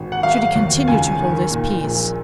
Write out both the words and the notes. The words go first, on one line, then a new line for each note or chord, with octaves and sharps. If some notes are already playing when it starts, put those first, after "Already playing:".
Should he continue to hold his peace?
Already playing: G#1
F#5
F#3 F5
D#2
C#2 G#5
D#3
A#2
A#1